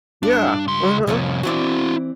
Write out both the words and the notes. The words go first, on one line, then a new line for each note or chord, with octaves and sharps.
Yeah. Uh-huh.
G2 D4
C#2 C6
C2 F2 F3 C#4 A4
E3 C4 E4 F#4 D5